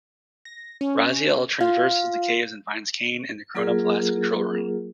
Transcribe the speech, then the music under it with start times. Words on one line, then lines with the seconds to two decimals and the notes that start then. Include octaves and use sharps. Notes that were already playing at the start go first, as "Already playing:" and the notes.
Raziel traverses the caves and finds Kain in the Chronoplast's control room.
0.45 A#6
0.81 C#4
1.61 F4 F5
3.55 F#3 A#3 F4 G#4 A#4